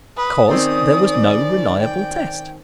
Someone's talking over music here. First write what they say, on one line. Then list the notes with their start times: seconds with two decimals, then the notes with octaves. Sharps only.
Because there was no reliable test.
0.17 B4 D#6
0.49 D#3 C4 C#4 D5
1.79 G5